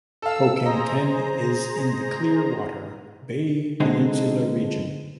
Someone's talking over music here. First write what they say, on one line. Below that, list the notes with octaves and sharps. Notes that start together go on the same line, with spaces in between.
Po Keng Teng is in the Clear Water Bay Peninsula region.
A4 F5 E6
G#4 C5 D#5 A#5
D3 G#3 C4 D#4